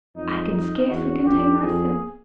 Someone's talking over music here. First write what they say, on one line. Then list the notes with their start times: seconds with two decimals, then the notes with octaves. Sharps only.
I can scarcely contain myself!
0.16 F2 D#4
0.53 D#4
0.89 E2 F#4
1.25 F2 G4
1.62 F2 G#4